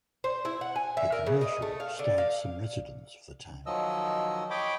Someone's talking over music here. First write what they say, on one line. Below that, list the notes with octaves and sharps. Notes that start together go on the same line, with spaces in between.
The commercial starred some residents of the town.
C5
E4
F#5
G#5
E5
A#4
C#3
D#5
A3
F5
D3
F5
D#3 F3 F#3 D#5 E6
C#5 D#5 G5 B5 D6